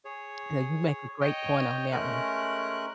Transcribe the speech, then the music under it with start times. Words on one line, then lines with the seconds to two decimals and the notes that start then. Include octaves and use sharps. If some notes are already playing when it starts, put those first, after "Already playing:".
So you make a great point on that one.
0.05 G#4 C#5
1.21 C#5 D#5 G5
1.92 G#3 A3 C#4 A#4 F#6